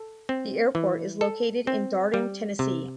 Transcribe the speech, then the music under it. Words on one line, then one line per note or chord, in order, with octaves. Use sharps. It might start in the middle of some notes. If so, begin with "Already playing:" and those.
The airport is located in Darden, Tennessee.
Already playing: A4
C4
E3
A4
C4
G3
C3